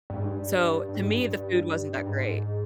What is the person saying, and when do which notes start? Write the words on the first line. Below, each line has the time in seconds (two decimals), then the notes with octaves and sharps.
So, to me, the food wasn't that great.
0.10 G2
0.16 G#2
0.24 G2
0.56 G2
0.89 G2
0.94 G#2
1.06 G2
1.20 G2
1.31 G2
1.97 G2
2.06 G#2